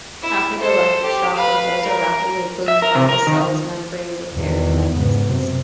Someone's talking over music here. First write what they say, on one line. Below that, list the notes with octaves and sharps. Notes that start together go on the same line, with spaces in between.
After the electric shock, the holes are rapidly closed by the cell's membrane-repair mechanisms.
E4
A4 C5
G4
B4 F5
A#4
E5
A#4
C3
A#4
D#3
E2 B2 D#3
G#2 C#3 B3
F#2 C3